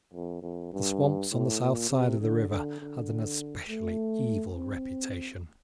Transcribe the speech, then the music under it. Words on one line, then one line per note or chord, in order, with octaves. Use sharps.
The swamps on the south side of the river had an especially evil reputation.
F2
F2
G2
A2
A#2
C3
D3
D3
D3
A3
C4